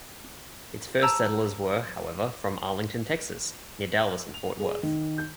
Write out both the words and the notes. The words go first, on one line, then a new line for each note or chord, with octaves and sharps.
Its first settlers were, however, from Arlington, Texas, near Dallas and Fort Worth.
A5 A#5 E6
F7
G#4
D#3
G6